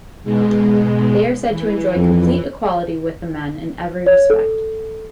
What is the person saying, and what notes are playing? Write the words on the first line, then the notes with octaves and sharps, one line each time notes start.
They are said to enjoy complete equality with the men in every respect.
G#2 B2 G#3
E3
F2
C#5
A4